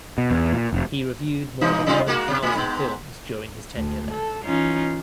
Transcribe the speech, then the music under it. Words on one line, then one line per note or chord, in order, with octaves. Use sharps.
He reviewed more than one thousand films during his tenure there.
B2
E2
A#2
F1
G2 E3 D#4
C3 G3 F4
G#3 A#3 F#4
B2
A2
G#2 B3
D2
A4
E3 C#4 D#4 F4